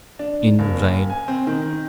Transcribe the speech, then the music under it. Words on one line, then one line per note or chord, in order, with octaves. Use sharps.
In vain!
D4
F#1
G#5
C4
D#3